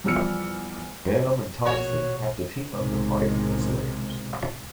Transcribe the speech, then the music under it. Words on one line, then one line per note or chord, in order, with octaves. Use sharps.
Venom and Toxin have to team up to fight the "slayers".
E2 F3 G3 E6 F6 C#7
A#1 B2 F#4 C#5
B1 A2 C3 D#3 G#3